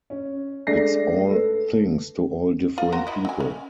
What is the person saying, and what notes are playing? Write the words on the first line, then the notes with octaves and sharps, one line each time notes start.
It's all things to all different people.
C#4
G#3 A3 D4 D5 A#6 C7
A4 B4
F4
F#4 A#4 C5
E4 D#5
F#3 G#5
C#4